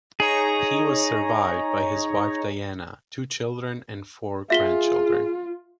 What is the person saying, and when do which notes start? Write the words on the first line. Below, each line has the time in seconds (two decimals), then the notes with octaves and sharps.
He was survived by his wife Diana, two children and four grandchildren.
0.20 D#4 G#4 C#5 A#5
4.50 F4 G#4 E5 B6 G7